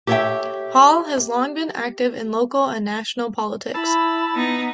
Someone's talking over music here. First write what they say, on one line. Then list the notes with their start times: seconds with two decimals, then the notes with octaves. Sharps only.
Hall has long been active in local and national politics.
0.07 G4 A4 C#5 D5 E5 G5
3.74 E4 A5 B5 E6
4.34 B3 D#4